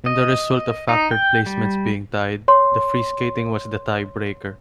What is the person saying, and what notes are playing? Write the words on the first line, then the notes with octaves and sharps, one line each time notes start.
In the result of factored placements being tied, the free skating was the tie-breaker.
D#5
D#4
G5
G3
C#5 C6